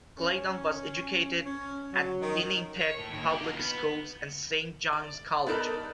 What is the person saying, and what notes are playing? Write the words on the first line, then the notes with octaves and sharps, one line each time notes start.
Claydon was educated at Winnipeg public schools and Saint Johns College.
C#4
C#4
F#3
D#3
C#5
A2
D#2 D#3
F#4 G4
D#4 F4
B3
D5
B3 D#4 A4 A#4 D5